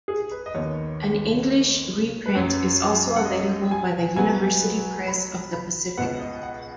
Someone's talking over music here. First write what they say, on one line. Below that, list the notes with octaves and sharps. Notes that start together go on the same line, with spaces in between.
An English reprint is also available by the University Press of the Pacific.
G#4
B4
D#5
D#2 D#3 B3 C#5
B4
F#2 F#3 C#4 C#5
F#5
D#5
G#5
B2 F#3 B3 G#5
B5
B5
C#2 B2 B3 F#5
D#5
F#5